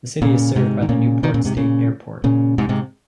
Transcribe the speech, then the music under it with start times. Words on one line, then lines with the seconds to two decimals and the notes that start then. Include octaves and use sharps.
The city is served by the Newport State Airport.
0.22 A#2 C#3
0.55 G#2 C3
0.82 D#3
0.89 A#2 C#3
1.23 C3 D#3
1.34 A#2 C#3
1.45 G#2 C3
1.57 A#2 C#3
2.24 A#2 C#3
2.58 G#2 C3
2.69 G#2 C3